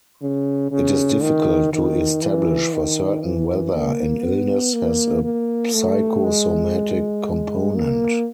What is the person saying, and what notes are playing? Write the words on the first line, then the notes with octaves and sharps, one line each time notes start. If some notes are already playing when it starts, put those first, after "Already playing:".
It is difficult to establish for certain whether an illness has a psychosomatic component.
C#3
C#3
D#3
D#3
E3
D#3
E3
A#3
B3
A#3
A#3
A3
G#3
A#3